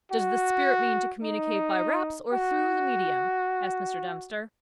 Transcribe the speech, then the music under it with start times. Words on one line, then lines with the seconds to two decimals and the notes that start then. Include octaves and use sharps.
"Does the spirit mean to communicate by raps or through the medium?" asked Mr. Dempster.
0.12 F#4
1.22 D#4
2.33 F#4